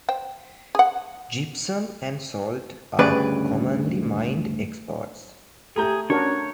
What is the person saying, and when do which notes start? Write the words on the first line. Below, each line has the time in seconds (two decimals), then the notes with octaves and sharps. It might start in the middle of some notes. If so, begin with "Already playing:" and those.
Gypsum and salt are commonly mined exports.
0.09 C5 G5
0.75 G#4 F#5
2.99 D2 G2 C#3 B4 D5
5.76 A3 G4 G#4 A#5 G6
6.10 C#4 D4 F#4 A#4 C#5